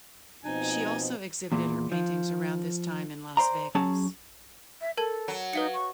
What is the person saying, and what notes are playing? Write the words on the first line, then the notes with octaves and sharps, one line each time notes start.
She also exhibited her paintings around this time in Las Vegas.
B2 F3 C4 D#4 G#5
E2 A#2
F3
C5 D5 A#5
F#3 C#4 G#4 A5
E5
A4 A#4 A5 G#6
F#3
D#4 B4 F5 C#7
C#6